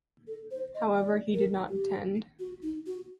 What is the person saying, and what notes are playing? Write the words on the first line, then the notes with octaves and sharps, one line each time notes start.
However, he did not attend.
A4
C5
D#5
D5
A#4
G4
F#4
D#4
F#4